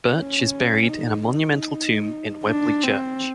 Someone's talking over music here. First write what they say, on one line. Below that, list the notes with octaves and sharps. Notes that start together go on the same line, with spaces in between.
Birch is buried in a monumental tomb in Weobley Church.
C#4
D#4
D#4
D4
C4